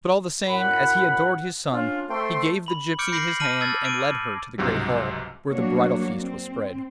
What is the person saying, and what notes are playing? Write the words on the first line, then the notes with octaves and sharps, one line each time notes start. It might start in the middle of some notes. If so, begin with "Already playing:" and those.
But all the same, as he adored his son, he gave the gypsy his hand and led her to the great hall, where the bridal feast was spread.
F#2 A2 F#5 B5
C#4 D4 F4
A3 C4 G5 C6
B5 F#7
D6 F6 G6 C#7 D7
B5 G6 A#6 C7 D7 F#7
A5 D6 F6 A#6 D#7 F#7
D6 E6 F6 G#6 A6
D6 D7 D#7
C#2 G#2 C3 F#3 G3
F#3 G3 A#3 D4 F#4 C#5
C4